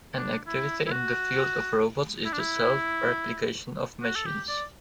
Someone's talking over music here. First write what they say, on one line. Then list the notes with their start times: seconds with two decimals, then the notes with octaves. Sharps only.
An activity in the field of robots is the self-replication of machines.
0.17 D4
0.47 E4
0.87 E4
0.91 F#4
2.25 E4
2.33 D4
2.39 E4
4.02 F#4
4.15 A4
4.26 G4
4.48 D5